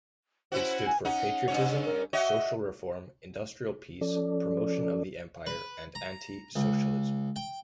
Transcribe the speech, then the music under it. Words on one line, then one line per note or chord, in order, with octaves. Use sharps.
It stood for patriotism, social reform, industrial peace, promotion of the Empire and anti-socialism.
C#4 E4 F#4 C5
G#5
C#4 D#4 F#5
G2 C#4 C#5
A#4
F#4 C#5 D#5 E5
F3 C#4 A4 D5
B4
A#5
C#2
G5